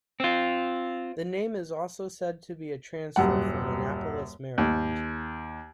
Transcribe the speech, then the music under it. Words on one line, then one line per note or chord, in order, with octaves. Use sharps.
The name is also said to be a transfer from Annapolis, Maryland.
C4 F4
D#1 F#2 G3 F#5
D#2